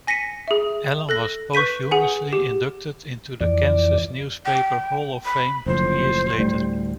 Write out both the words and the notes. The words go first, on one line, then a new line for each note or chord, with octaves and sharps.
Allen was posthumously inducted into the Kansas Newspaper Hall of Fame two years later.
G#5 A#6 B6 C#7 D#7
G#4 E5
A4 F#6 A#6
B4 C#6 G6 B6 D#7
G#4 F#5 G#5
G4
F2 E3 D5
G5
B5
F#1 A2 F3 C5
D2 A2 G3